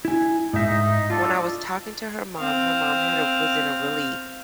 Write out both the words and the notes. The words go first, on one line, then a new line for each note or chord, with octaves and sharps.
when I was talking to her mom, her mom had a was in a really,
E4 G#5
G#2 D#4 E5
D4 F4 A4
C4 F5